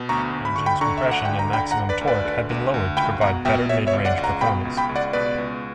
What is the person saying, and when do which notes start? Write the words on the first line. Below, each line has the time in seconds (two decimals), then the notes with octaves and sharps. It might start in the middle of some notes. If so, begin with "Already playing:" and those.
The engine's compression and maximum torque have been lowered to provide better midrange performance.
Already playing: B2
0.09 D2 A#5 C#6
0.33 D2
0.45 B5
0.56 D3 C#6
0.66 G5 B5
0.81 D3 A#5 C#6
0.98 E5
1.05 D2
1.11 F#5
1.25 D3 G5
1.39 A#5
1.53 D3 G5 B5
1.71 F#5 A#5
1.77 D3
1.89 B4 D5
2.01 D2
2.07 B4 D5
2.25 D3
2.50 D2
2.74 D2
2.97 C#2 G5 B5
3.21 B2 F#5 A#5
3.45 B2 E5 G5
3.69 B2 C#5 E5
3.87 C#5 E5
3.93 C#2
4.05 D5 F#5
4.18 C#2
4.24 F#5 A#5
4.41 B2 G5 B5
4.65 C#2
4.77 G5 B5
4.89 C#2
4.96 D5 F#5
5.13 B2 B4 D5
5.38 C#2